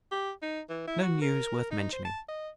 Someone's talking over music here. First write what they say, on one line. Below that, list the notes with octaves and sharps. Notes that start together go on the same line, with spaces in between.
No news worth mentioning.
G4
D#4
E3
E4
F#4
A#4
D#4
C5
A5
D#5